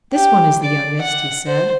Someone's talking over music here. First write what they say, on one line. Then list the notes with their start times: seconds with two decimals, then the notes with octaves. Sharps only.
'This one is the youngest,' he said.
0.14 G4
0.63 D5
1.01 F#5
1.47 C5